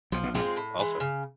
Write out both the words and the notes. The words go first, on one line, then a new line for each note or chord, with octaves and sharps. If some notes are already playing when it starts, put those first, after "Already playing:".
Oh, also
B1 B2 F3
B1 B2
A#1 A#2 G#3 C4 F4
A2
E3 G#3
C#3